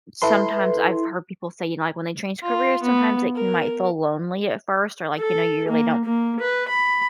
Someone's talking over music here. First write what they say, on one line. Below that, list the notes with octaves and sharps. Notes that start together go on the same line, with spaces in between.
sometimes I've heard people say, you know, like, when they change careers, sometimes it can might feel lonely at first or, like, you know, you really don't
E4 A4 B4 C6
F4
B3
A#4
A4
A#3
A#3
B4
B5